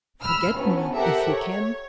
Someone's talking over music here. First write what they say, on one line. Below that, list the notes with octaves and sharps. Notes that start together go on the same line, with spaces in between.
Forget me if you can!
B5 E6 F6
G1 B3 C#4
G4 A4 A#4 C5 E5 F#5
C#5